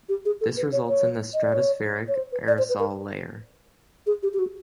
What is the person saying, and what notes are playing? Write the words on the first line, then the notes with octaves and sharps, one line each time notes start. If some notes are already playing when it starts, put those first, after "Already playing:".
This results in the stratospheric aerosol layer.
G4
G#4
A4
B4
C#5
C#5
D#5
D5
C#5
C#5
C5
B4
D5
C5
B4
A#4
G#4
G4
G4
F#4